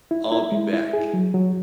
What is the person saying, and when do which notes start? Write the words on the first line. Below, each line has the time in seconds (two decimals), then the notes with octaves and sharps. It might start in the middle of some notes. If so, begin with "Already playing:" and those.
I'll be back.
0.11 E4
0.32 E4
0.52 G#3
0.73 E4
0.93 G#4
1.14 F#3
1.34 F#3